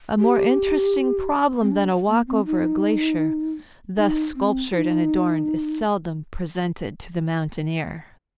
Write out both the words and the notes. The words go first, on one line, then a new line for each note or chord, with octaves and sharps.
A more interesting problem than a walk over a glacier thus sculptured and adorned is seldom presented to the mountaineer.
G4
C4
D4
A#3
C4
D#4
D#4
C4
F4
D#4